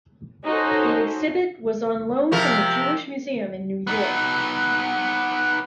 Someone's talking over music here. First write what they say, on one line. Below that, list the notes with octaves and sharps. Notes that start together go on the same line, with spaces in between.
The exhibit was on loan from the Jewish Museum in New York.
C#4 D#4 F#4 A4 C5
C3 F3 A#4
B3 D#4